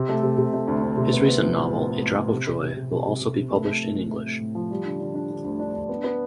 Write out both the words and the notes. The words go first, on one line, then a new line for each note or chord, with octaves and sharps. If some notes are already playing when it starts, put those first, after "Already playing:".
His recent novel "A Drop of Joy" will also be published in English.
Already playing: C3
A3
C3
C3
A3
D2
D2
C3
B3
B3
F3
A2
A2
B3
A2
A2
C3
C3
C3
C3
C3
C3
C3
C3
A3
A3
A2
A3
A3
A3
A2
F3
G3
D3
D3
D4
D3
D2
D4
D4
B3
B3